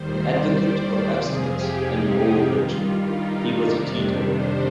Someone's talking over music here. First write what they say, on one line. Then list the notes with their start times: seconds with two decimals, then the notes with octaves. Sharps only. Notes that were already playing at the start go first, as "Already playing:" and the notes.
An advocate of abstinence and moral virtue, he was a teetotaler.
Already playing: D#2 D#3 G3 C5
0.19 D5
0.51 C5
1.14 F2 C3 F3 G#4
1.46 G4
1.77 D#4
2.41 G2 D#3 G3 F4
3.05 D#4
3.36 D4
3.68 F2 C3 D#3 G3
4.32 C5